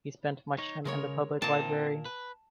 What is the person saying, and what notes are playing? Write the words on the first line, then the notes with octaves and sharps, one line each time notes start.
He spent much time in the public library.
D#4 C#5
C#3 G#3 A#4 C#5
A#2 C4 D#4 A#4 A5
B4